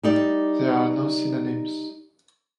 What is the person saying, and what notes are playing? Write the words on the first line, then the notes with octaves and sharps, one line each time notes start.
There are no synonyms.
G3 D#4 D5